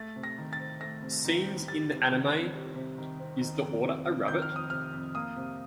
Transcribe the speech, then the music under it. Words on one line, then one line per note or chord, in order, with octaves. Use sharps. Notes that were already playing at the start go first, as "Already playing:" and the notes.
Scenes in the anime Is the Order a Rabbit?
Already playing: A3 A6
C3
A#6
D#3
A6
C4
A3 A#6
C3
D#3
C4
G3 A6
C3
D#3
C4
G3
C3
D#3
C4
D#3
F2
C3
F2
D#3 G6
F6
F2
D#6
C3 F6
F2
A#3 D#6
C3